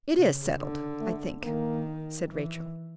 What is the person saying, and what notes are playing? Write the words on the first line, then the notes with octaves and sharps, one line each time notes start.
"It is settled,--I think," said Rachel.
C#3
D3
A3
D#3 A#3
E3